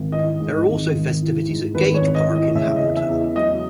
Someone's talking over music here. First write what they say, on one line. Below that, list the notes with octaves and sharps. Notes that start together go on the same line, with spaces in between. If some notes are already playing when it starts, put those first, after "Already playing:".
There are also festivities at Gage Park in Hamilton.
Already playing: G#1
E3 D#5
G#2
G#1
G#1
E3
G#2
G#1 B4
C#5
G#1
D#5
E3
D#5
C#3 E5
D#5
E2
E5
E2
F#3 D#5